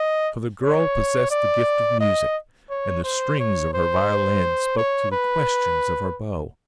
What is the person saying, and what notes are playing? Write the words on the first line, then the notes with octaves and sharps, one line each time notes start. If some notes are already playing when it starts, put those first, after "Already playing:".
For the girl possessed the gift of music, and the strings of her violin spoke to the questions of her bow.
Already playing: D#5
C#5
D5
D#5
C#5
C5
C#5
C5
C#5
B4